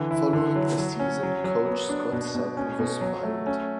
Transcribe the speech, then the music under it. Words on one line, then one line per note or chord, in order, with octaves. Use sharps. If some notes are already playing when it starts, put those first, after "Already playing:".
Following the season coach Scott Sutton was fired.
Already playing: D3 E3
E4
D3
F#3
F#3
C#4
F#3
F#3
B3
D4
B2
B2
C#4
B2
F#3
A3
C#4